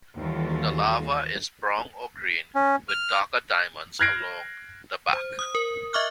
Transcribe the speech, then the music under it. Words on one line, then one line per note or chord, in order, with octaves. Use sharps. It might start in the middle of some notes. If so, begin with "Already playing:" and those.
The larva is brown or green with darker diamonds along the back.
D#2 E3 G3 F4 F#4 A4
C#4
F6
F6 F#6 G#6 A#6 C7 D7
C5
D#6
A#4
D#5 E5 C#6 D6 F6 F#6